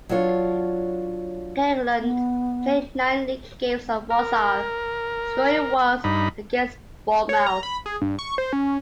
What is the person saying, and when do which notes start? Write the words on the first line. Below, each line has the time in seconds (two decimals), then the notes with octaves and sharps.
Ekelund played nine league games for Walsall, scoring once against Bournemouth.
0.09 F#3 D4 F4 C#5
1.99 B3
4.10 A#4
6.04 G2 D#4 B5
7.29 C#5
7.47 A#5
7.63 B5
7.86 G#4
8.01 G2
8.19 C#6
8.38 C5
8.53 C#4